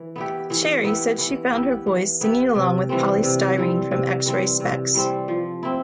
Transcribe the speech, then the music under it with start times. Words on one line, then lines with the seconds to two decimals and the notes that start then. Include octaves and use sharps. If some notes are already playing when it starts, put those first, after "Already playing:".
Cherry said she found her voice singing along with Poly Styrene from X-Ray Spex.
Already playing: E3
0.16 B3 E4 G4
0.50 E3
0.84 B3 E4 G4
1.18 E3
1.52 B3 E4 G4
1.86 E3
2.21 B3 E4 G4
2.55 C3
2.89 E3 G3 C4
3.23 C3
3.58 E3 G3 C4
3.91 C3
4.25 E3 G3 C4
4.60 C3
4.94 E3 G3 C4
5.28 F3
5.63 C4 E4